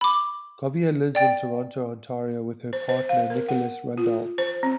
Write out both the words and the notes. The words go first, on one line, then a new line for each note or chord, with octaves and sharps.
Govier lives in Toronto, Ontario with her partner Nicholas Rundall.
B5 D6
D5 G5 A6
C5
C5
F5
A#4
F#5
F4
C5
C4